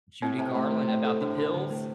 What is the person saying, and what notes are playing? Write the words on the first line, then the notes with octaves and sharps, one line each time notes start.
Judy Garland, about the pills?
A2 C4
C3 C4
C3 A3
A3
A3
A4
A2 D4
D4
D3
A3